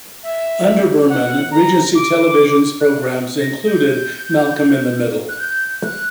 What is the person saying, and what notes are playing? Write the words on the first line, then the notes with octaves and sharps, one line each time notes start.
Under Berman, Regency Television's programs included "Malcolm in the Middle".
E5
F#5
A#5
D6
F#6
A#6
G6
F#6
G6
F#6